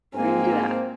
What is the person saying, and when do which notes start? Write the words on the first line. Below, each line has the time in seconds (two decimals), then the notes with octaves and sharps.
I don't even do that.
0.15 G#2 A#3 C4 G#5